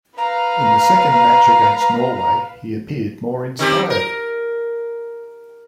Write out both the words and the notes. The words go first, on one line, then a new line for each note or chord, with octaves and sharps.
In the second match against Norway, he appeared more inspired.
B4 F5 A#5
D#3 C4 G4
A#4